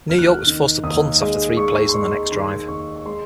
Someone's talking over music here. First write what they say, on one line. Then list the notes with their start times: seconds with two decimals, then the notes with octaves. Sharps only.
New York was forced to punt after three plays on their next drive.
0.09 D#2 F6
0.18 F#6
0.26 F6
0.47 D#3
0.83 D#2 D#6
1.21 G#3
1.57 G#3 C#6
1.89 C6
1.94 G#3 C#6
2.32 D#3 C6
2.68 D#2 C#6
2.96 C#6
3.05 G#3 C6